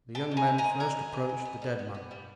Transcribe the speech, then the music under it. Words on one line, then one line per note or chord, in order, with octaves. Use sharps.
The young men first approached the dead man.
B2 G5 A5
B2
G#5 A#5
B2
G#5 A#5
G#3
B2 G#5 A#5
B3
B2
B2
B3
G3
B3
B3
G3